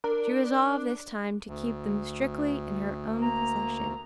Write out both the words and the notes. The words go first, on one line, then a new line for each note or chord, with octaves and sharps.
She resolved this time to keep them strictly in her own possession.
D4 A#4
D2
A#3 A#5